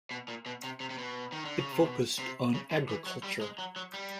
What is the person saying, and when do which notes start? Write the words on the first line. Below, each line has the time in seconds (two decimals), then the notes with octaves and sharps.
It focused on agriculture.
0.11 B2
0.28 A#2
0.46 B2
0.64 C3
0.80 C3
0.91 C3
0.98 B2
1.32 D#3
1.45 D3
1.59 C#3
1.72 C3
1.85 B2
2.19 C3
2.54 C#3
2.71 D3
2.89 E3
3.06 F#3
3.24 G3
3.41 G#3
3.59 F#3
3.76 F#3
3.94 G3